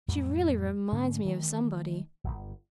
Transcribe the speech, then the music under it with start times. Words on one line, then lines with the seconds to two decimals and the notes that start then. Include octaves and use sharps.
She really reminds me of somebody.
0.08 F2 A2 F#3 G3
0.92 G#2 D3 A3 C#4
1.25 D#3 E3 G3 A3
2.24 D1 G1